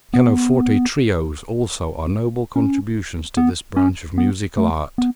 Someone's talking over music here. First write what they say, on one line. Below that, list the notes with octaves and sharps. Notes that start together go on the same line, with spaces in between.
His pianoforte trios also are noble contributions to this branch of musical art.
B3
C#4
B3
C#4
B3
A3
B3